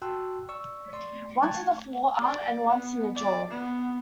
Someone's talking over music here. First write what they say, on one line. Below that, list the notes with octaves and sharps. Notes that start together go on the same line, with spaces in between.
Once in the forearm and once in the jaw.
F#4 G5 A5 C6 E6 F#6
D5 C#6 E6
D5 C6
G5 A5 C#6 F#6 G#6 A6
D5
B3
D5
B3